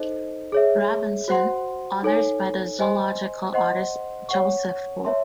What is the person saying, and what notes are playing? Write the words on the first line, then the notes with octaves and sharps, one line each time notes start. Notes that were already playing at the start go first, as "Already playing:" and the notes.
Robinson; others by the zoological artist Joseph Wolf.
Already playing: D#4 A4 C5 D#5
G#4 C#5 E5
F#4 C5 F#5 C6
D#4 A4 C#5 G#5
C5 D#5 G#5 C6
C5 D#5 F#5 C6
C#5 F#5 C#6
C#5 E5 A5 C6